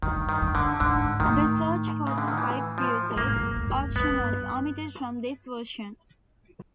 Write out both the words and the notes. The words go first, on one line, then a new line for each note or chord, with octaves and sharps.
The "Search for Skype Users" option was omitted from this version.
G2 D#3
D#3
G2
D3
G#2 D3
A2 D#3
C#3
D3
D#3
E3
F3
G#2 A#3
F#2
G#2
G2
G2 B3